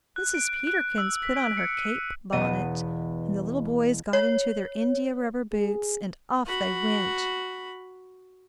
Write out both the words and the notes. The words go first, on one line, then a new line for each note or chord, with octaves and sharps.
Mrs. Peterkins put on her cape-bonnet, and the little boys got into their india-rubber boots, and off they went.
F#6
D7
D7
F#6
E6
B6
D7
C#7
D#7
E1 B3 D#5 D#7
C#5
G#4
F#4 B5